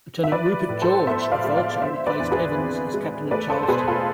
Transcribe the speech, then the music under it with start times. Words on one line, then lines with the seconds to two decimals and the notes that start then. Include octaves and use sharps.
Lieutenant Rupert George of "Vulture" replaced Evans as captain of "Charlestown".
0.24 E5
0.32 F3 B4 D5
0.69 A2
0.82 A4 C5
1.07 B3 C5 E5
1.32 D5 F5
1.44 G#3
1.57 D5 F5
1.82 D3 C5 E5
2.07 B4 D5
2.19 E2
2.31 G#4 B4
2.57 C4
2.94 G#3
3.31 A3 B4 D5
3.50 A4 C5
3.63 C5
3.68 B2 G#4 B4
3.87 F4 A4